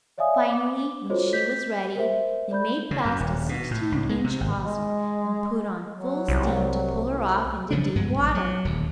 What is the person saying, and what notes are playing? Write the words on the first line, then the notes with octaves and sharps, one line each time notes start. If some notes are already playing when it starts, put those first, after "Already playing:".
Finally, when she was ready they made fast a sixteen-inch hawser, and put on full steam to pull her off into deep water.
C#5 D5 E5 F5 G#5 D#6
D6
F4 F#4 A4 C5 C#5 D#5
G6 B6
A#4 C5 E5
D5 B5 G6
C#3
F#2
D#1
B2
A2
C#2
G#3
C3
G#1
G#3
F#3
C2
C#3 F3 F#3 D4
G2 F3 G#3 B3
A#1
F#3
D#1 D2